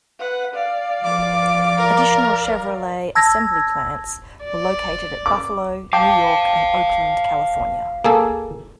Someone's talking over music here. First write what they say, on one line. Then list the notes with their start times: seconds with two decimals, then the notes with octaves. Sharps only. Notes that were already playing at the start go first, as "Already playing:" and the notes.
Additional Chevrolet Assembly plants were located at Buffalo, New York and Oakland, California.
0.20 B4 F#5
0.53 D5 F5
1.01 F3 D6
1.78 A#4
3.15 A5 E6 G#6 A#6
4.45 D5
5.26 D6
5.93 C5 F5 G5 A5 D6
8.04 A#3 G#4 A4